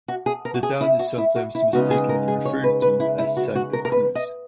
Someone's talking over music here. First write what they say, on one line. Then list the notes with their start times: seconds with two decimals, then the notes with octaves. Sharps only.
The town is sometimes mistakenly referred to as Santa Cruz.
0.08 F#4
0.26 G#4
0.45 A#4
0.54 F#4
0.63 G#4
0.81 E4
0.99 F#4
1.18 E4
1.36 F#4
1.55 E4
1.73 C#3 G#3 B3 D#4 F#4
1.91 G#4
2.09 A#4
2.28 G#4
2.45 C#5
2.64 B4
2.82 B4
3.00 E4
3.18 E4
3.37 F#4
3.55 F#4
3.73 A#4
3.85 A#4
3.92 B4
4.15 D#5